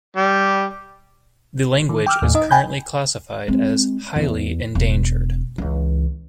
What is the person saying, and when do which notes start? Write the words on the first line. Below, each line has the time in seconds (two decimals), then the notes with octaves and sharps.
The language is currently classified as "highly endangered".
0.17 G3
1.89 D#3
2.06 G5 D6 E6 F6
2.22 D#2 A2
2.35 D#4 D#5
2.51 G5 G#5 B5 G6
3.48 G#3 C4
4.16 E2
4.75 E1
5.58 C#2 E3